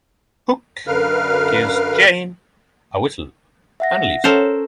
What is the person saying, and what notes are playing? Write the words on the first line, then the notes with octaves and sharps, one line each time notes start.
Hook gives Jane a whistle and leaves.
F#2 D3 A#4 B4 F5 F6
E5 F#5 A#6
C#4 A4 A#4 C5 C#5